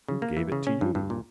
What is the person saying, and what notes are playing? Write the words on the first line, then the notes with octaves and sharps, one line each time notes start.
Who gave it to you?
C#3
A#3
E3
C#3
C#4
G2
G2
A#2